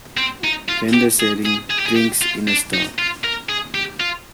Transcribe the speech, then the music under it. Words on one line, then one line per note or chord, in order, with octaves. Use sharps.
Vendor selling drinks in a stall.
C4
D#4
F4
G4
G#4
G#4
G#4
G4
G#4
G4
F4
D4
D#4
F4
A#4
G#4
G4
F4